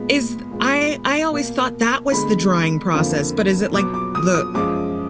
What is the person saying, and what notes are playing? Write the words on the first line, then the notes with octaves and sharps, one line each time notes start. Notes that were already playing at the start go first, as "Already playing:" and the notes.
is I I always thought that was the drying process, but is it like, the
Already playing: A#2 G#3 B3 B5
A#2 G#3 B3
B2 A#3
D3 G#3 B3 B5
F2 D3 F3 A#3
B2 F#3 B3 D6
D6
D#6
D#6
F#2 F3 G#3 D6